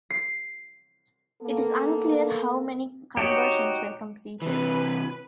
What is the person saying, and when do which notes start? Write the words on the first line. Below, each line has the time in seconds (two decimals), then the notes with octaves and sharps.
It is unclear how many conversions were completed.
0.10 C7
1.42 A#3 B3 A4
3.17 D#4 F#4 G4 C#5
4.42 C3 E3 B4